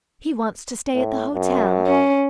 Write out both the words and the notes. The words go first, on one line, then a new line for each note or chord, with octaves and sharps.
He wants to stay at the hotel.
A2
F#2
C#4